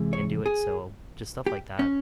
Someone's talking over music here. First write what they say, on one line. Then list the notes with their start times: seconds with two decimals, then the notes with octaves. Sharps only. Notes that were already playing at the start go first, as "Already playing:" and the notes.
into it so, just stuff like that,
Already playing: C3 E3 G#3
0.13 C#5
0.46 G#4
1.46 G4
1.79 C#4